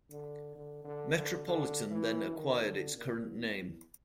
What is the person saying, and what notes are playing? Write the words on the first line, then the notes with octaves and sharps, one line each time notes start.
Metropolitan then acquired its current name.
D3
D3
D3
D3
D3
E3
D#3
D3
A#2
E2
E2